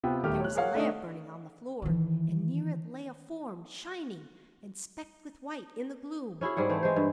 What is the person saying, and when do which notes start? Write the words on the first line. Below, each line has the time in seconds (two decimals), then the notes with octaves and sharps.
There was a lamp burning on the floor, and near it lay a form, shining and specked with white in the gloom.
0.03 C3 B3 F4 G5
0.23 D#1 D#3 A3 G4 F6
0.41 C#5 F#6
0.55 G#4 A#4 C#5 F5 F#5
0.75 A3 D4 D#4
1.82 D#3 E3
6.41 C#4 E4 F#4 G#4
6.57 G#2 G3 G#4 F#5
6.69 E3 A3 C4
6.83 G#3 C5
6.96 G2